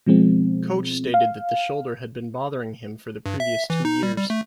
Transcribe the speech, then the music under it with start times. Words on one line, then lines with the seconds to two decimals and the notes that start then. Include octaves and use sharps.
Coach stated that the shoulder had been bothering him for the previous two years.
0.06 B2 F3 G#3 C4
1.14 F5
3.26 G2
3.40 E5
3.70 E3
3.85 D#4
4.03 G3
4.18 G3
4.30 A3